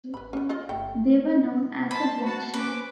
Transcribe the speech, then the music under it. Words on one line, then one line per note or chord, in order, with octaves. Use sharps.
They were known as the Black Sheep.
G#1 B4 B5
A#3 B3 C#4
F4 D5 D#5
G1 A3 G5
C5 A5 B5
F#4 A5
C#4 B4 C5 D6